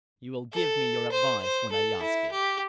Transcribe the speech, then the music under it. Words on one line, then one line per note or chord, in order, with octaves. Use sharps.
You will give me your advice when I ask it.
A4
C5
C5
A4
E4
G4